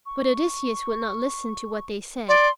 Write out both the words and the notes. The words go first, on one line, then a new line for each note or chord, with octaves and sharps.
But Odysseus would not listen to what they said.
C#6
D5 C6